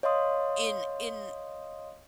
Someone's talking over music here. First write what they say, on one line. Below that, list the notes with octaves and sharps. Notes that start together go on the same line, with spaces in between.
in in
C#5 D#5 F5 C6 D#6